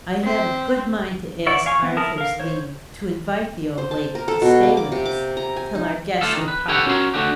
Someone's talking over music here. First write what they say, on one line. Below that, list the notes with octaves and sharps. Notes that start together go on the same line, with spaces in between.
I have a good mind to ask Arthur's leave to invite the old lady to stay with us till our guests depart.
C4
E4 C#5 D5 F#5
F5 G#5 C#6
B3 C4
E4 A#4 A5 D#6
A#4 F5
C5 C#5
C5
A5
A#4
A4
B2
A#3
D6
C3
D6
A#5
G#5
D#4
A3 D4 F4 A4
D#3 E3
B4
G4 A4 B4 C#5 F#5 G5
C#4 F#4 A#4 C#5 C6
D3 A3 D4 F#4 G4